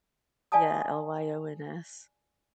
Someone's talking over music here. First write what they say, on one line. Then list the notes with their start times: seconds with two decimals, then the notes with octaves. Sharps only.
yeah, L-Y-O-N-S.
0.52 D5 F5 G#5 A5 D#6